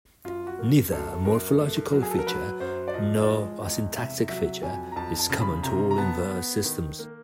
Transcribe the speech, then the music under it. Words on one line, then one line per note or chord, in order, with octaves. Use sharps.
Neither a morphological feature nor a syntactic feature is common to all inverse systems.
F#2 F4
F#4
A#3
F#2 A4
F#2 A#4
A3
F#3
G#4
A4
A#4
F#3 B4
F#2 C5
D5
F3 D#5
D5
G#3 D#5
E2 D#5
C3 E5
F#3 E5
F2 G#5
A#5
F2 A5
A5
C#3
B5
C3 A#5
A#5
B3 A5
B3
D#3
A#3